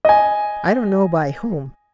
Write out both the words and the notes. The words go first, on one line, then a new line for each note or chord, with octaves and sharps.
I don't know by whom.
D#5 G#5